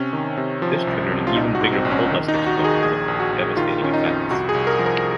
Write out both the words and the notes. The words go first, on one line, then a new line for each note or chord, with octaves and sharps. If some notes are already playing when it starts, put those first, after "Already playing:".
This triggered an even bigger coal dust explosion with devastating effects.
Already playing: C3 C#4
D#3
C3
F3
C2
C2
F4
A#1 D#4
F#4
G#2
C4
A#1
C#4
D#3
D#4
D#2
F#4
D#3
G#4
A#1 G#4
A#1
F#4
A#1
D#3 F4
D#3 C#4
D#4
F2
C2 F#4
G#4
C2
A#4
F3
A#4